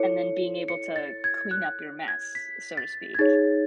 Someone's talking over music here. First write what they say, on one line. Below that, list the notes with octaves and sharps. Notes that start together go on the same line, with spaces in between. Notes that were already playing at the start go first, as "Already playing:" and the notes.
And then being able to clean up your mess, so to speak.
Already playing: E4 A4 C#5 C#7
C#7
A6
G#6
F#6
G#6
B6
A6
G#6
D#4 G#4 C#5 A6